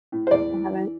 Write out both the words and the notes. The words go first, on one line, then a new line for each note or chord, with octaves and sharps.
I haven't.
A2
C5
E2 D5
E3
E3